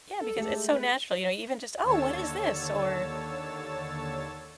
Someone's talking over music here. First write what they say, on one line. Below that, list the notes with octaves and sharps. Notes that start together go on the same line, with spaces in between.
Yeah, because it's so natural, you know? Even just, "Oh, what is this?" or,
A4
G#3 A3 G4
B4
D#2 D3 C#5 A5 E6 A6